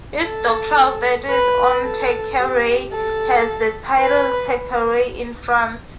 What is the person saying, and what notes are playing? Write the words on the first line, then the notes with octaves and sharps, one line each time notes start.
His doctoral thesis on Thackeray has the title "Thackeray in France".
A4
B4
A4
G4
A4
B4